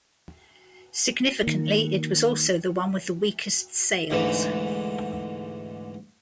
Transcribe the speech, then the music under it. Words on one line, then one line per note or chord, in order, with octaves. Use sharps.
Significantly, it was also the one with the weakest sales.
D#3 A#3
D2 G#2 D3 E3